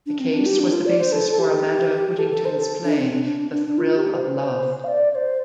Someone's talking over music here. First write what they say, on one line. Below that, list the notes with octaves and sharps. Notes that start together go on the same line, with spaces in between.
The case was the basis for Amanda Whittington's play "The Thrill of Love".
D4
C4
D4
G4
D4
F4
D5
C5
A4
A4
G4
A4
A4
C5
A4
D4
C4
D4
D4
D4
D4
F4
G4
C5
F5
D5
D5
C5